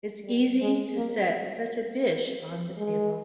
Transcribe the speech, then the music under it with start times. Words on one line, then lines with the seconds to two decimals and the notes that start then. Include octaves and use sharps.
It is easy to set such a dish on the table.
0.24 G3
0.61 G#3
0.96 A#3
2.77 G#3